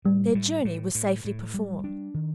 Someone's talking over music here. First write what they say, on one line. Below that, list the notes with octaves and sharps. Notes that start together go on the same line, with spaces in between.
Their journey was safely performed.
A2 G3
A2
A2
A2
A2
G3
D4
D#3